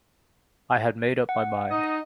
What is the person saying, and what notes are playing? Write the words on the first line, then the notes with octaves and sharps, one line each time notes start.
I had made up my mind.
F#5
D#4 D#5